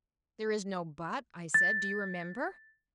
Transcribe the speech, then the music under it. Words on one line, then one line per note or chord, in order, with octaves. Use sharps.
"There is no 'but.' I said, do you remember?"
A6